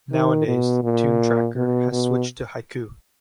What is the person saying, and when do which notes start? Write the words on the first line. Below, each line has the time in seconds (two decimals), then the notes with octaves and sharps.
Nowadays TuneTracker has switched to Haiku.
0.12 D#3
0.47 B2
0.84 A#2
1.56 B2
1.92 B2